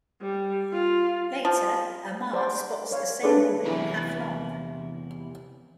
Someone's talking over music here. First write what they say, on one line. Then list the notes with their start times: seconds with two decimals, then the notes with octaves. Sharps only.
Later, Amar spots the same woman in Haflong.
0.22 G3
0.73 F4
1.45 F3
2.33 C5 D5 F#5
2.91 A#4 C#5 F5
3.23 C4 D4 G#4 A4 B4 D5
3.65 E2 C3 E3 E4 A#5